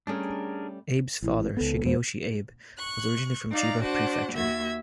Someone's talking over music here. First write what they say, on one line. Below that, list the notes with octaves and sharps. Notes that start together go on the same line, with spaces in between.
Abe's father, Shigeyoshi Abe, was originally from Chiba Prefecture.
G3 A3 C#4 D4 G#4 A#4
A1 E4
C#2 B3 A4
E2 G#3 C5
C#6 F#6
D#4 D5 F5 A#5
D4 F#4 C5 F#5
D#2 F#4 E5 G#6